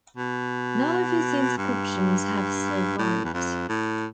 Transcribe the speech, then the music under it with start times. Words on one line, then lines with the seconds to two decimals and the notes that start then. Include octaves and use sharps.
None of his inscriptions have survived.
0.17 B2
1.58 G2
2.98 A2
3.25 E2
3.34 F2
3.69 A2